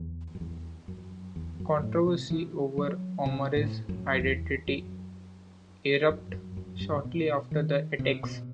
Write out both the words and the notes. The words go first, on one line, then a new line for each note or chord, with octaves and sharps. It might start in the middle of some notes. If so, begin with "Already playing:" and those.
Controversy over Omari's identity erupted shortly after the attacks.
Already playing: E2
F#2
E2
F#2
E2
F#2
A2
C3
E3
F#3
C3
A2
F#2
E2
F#2
F#2
F#2
F#2
G2
C3
B2
D#3
C3
B2